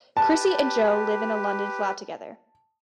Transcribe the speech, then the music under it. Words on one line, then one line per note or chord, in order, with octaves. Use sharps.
Chrissy and Jo live in a London flat together.
G4 B4 A5